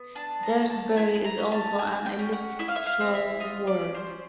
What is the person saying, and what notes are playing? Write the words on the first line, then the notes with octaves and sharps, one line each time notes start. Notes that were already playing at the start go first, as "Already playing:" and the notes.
Daresbury is also an electoral ward.
Already playing: B3
D4 A5
A#5
A3
A5
E4 G#5
A#5
C#4
A5
F#4 G#5
G5
C#4
F#5
E4 E5
F5
E5
F5
C4
E5
F4 D#5
D5
C#4
C5